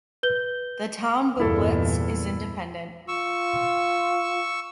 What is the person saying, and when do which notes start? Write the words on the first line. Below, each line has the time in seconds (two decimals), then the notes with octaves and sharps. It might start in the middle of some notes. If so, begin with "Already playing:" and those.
The town Bublitz is independent.
0.23 B4 G6 G7
1.40 E2 G2 A#2 E4 A4
3.08 F4 C#6 E6